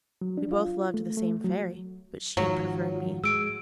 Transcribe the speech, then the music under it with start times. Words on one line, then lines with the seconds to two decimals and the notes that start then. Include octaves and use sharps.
We both loved the same Fairy, but she preferred me.
0.21 F#3
0.38 D4
0.52 F4
0.94 A3
1.17 A3
1.44 F#3
2.37 G#2 D#3 F3 F#3
3.24 G#3 E6 D7